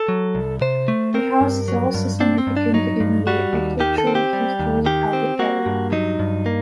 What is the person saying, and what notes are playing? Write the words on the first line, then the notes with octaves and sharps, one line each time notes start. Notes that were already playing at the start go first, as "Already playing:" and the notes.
The house is also significant in the architectural history of the area.
Already playing: A4
F#3
C2
C3 C5
A3
C4 A#4
G2
F#3
G2
C4 D4
C4
G2
D4
F#3 D#4
G2
G3 F#4
D#2
D#3 G4
A4
C4
G4
G3
D#2
D#3 G4
C4
A#3 F#4
G2
F#3 D#4
G2
A#3